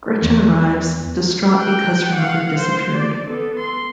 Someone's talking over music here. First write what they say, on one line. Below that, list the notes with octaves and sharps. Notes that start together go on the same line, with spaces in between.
Gretchen arrives, distraught because her mother disappeared.
E2
G5 F#6
F5 F#5
C5
D5
B3 A4
C6